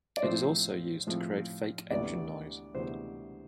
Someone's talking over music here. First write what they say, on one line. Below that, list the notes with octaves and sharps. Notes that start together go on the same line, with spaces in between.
It is also used to create fake engine noise.
D5
A2 F3 C4 C5
A2 F3 C4
D2 C3 E3 B3 D5
D2 C3 E3 B3 C5